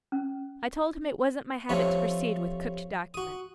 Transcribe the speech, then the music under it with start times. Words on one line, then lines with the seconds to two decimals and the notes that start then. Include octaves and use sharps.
I told him it wasn't my habit to proceed with cooked documents.
0.12 C#4
1.69 F3 G3 A3 C4 C#4
3.14 F#4 D#6